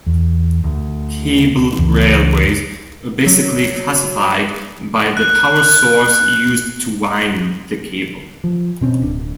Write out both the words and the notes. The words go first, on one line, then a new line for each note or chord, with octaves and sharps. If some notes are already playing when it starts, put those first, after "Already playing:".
Cable railways are basically classified by the power source used to wind the cable.
E2
D2
C#2 F#2 E3
F#3
F#6
F3
B2 C4 C#4
D1 D4